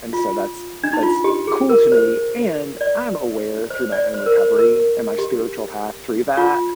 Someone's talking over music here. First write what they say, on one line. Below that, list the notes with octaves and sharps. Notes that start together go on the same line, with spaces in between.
and so that's that's cool to me and I'm aware through my own recovery and my spiritual path through that
F4
D4
D#4
F4
G4
G#4
A#4
C5
D5
C5
D5
C5
A#4
C5
A#4
G4
F4